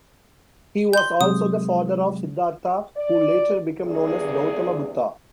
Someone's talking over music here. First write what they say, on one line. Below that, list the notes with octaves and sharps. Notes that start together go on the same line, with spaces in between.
He was also the father of Siddhartha, who later became known as Gautama Buddha.
C6 G6
C3 F#3 G#3 D#6
D5
E2 G2 C3 G#4 D5